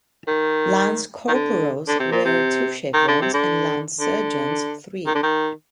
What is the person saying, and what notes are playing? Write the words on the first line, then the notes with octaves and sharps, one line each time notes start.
Lance Corporals wear two chevrons and Lance Sergeants three.
D#3
D#3
D3
D3
C3
A#2
C3
D#3
D3
C3
D3
D3
D#3
D3
D#3